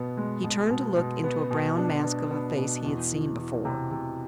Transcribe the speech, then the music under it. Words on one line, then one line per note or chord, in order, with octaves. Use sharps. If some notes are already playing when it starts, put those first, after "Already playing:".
He turned to look into a brown mask of a face he had seen before.
Already playing: B2 B3
G#3
B2
B2
B2
B3
B2
D4
B3
B3
B2
E2
E3
E3
C3
C3